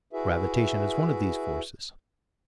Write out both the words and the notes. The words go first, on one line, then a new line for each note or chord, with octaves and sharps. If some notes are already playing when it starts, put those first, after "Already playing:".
Gravitation is one of these forces.
E4 F#4 G#4 B4 E5